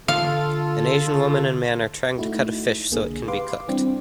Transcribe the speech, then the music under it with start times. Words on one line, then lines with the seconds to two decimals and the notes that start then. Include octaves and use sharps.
An asian woman and man are trying to cut a fish so it can be cooked.
0.08 D3 F4 A4 F5
2.18 A3 D#4 E4 F#4
2.91 B1 D3 A#3 G#4
3.28 G4 B4 F5 C6 D6
3.68 E3 G3 C4 D4